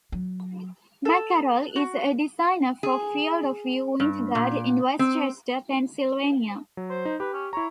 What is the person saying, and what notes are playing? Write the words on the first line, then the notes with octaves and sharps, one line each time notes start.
McCarroll is a designer for Field of View winter guard in West Chester, Pennsylvania.
F#3
A4
F#4
G#4
G2
A#2
C4
F#3
C5
D#4
G4 B4
C#4
E4 C#5 A#5